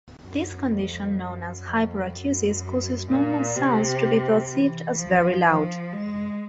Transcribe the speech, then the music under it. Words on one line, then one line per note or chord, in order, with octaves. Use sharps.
This condition, known as hyperacusis, causes normal sounds to be perceived as very loud.
F#2
F2
F#2
F2
F#2
A#2
C3
E3
F3
F3
G#3